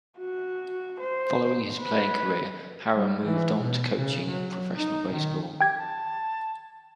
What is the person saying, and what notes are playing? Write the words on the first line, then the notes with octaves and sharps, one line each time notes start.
Following his playing career, Harrah moved on to coaching in professional baseball.
F#4
C5
B4
G3
E3
B2
C#3
F#3
D#4
D#3
G4 G5 G#6
A5